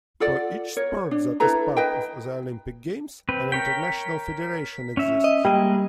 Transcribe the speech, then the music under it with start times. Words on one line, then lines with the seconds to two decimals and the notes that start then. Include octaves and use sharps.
For each sport that is part of the Olympic Games, an International Federation exists.
0.20 F4 A4 D5 F#5
0.77 A#4 C#5
1.11 D4
1.40 E4 A4 B4 A#5
1.77 B4 D#5 G5
3.29 C4 B4
3.52 A#4 C#5 G5 B6
4.97 C#4 E5
5.24 D#5
5.45 G3 G#3 A#3 D#5